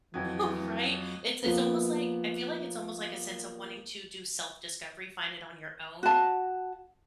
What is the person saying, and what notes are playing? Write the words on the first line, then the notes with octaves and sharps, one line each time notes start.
know, no, right? It's it's almost like I feel like it's almost like a sense of wanting to do self discovery, find it on your own,
F2 E3 F#3 F#4 D#6 G#6
F3 A#3 B3
F#4 A5